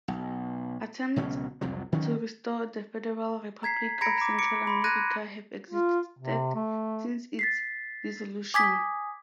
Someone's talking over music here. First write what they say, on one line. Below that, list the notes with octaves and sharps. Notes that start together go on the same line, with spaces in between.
Attempts to restore the Federal Republic of Central America have existed since its dissolution.
B1
C#2 B2 F#3 C#4
C2 F2 C3 F#3
D#3 F#3 C#4
A#5 G#6 B6 C7
A#5 B5 G#6 A#6 C#7 D7
A#5 D6
D6 C#7 D7
B5 C6
F#6 G#6 A#6 D#7
F4
C3
A3
A6 B6 C7
G#5 D6 D#6 G#6 B6